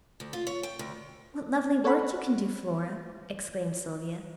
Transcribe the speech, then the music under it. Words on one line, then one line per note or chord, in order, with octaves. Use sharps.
"What lovely work you can do, Flora!" exclaimed Sylvia.
D2
F4
C#5
G5
D2
A4 C#5 D5 F#5 B5